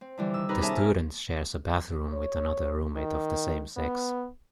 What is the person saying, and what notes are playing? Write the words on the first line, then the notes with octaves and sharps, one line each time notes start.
The student shares a bathroom with another roommate of the same sex.
C4
D3 E3 G3
D#3 E6
C3 D#4 G4 A#4 B4 B5
B3 C#4 G#4 A#4 E5 A5
F6
C#5
D#3
B3